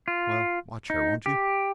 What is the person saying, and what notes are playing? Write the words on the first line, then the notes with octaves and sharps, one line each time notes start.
Well, watch her, won't you?...
F4
D#4
G4